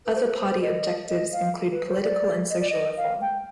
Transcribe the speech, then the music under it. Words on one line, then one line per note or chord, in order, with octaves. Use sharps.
Other party objectives include political and social reform.
B4
C5
B4
C5
C5
D#5
D#5
F5
B4
C5
D5
D#5
D5
D#5
F5
G5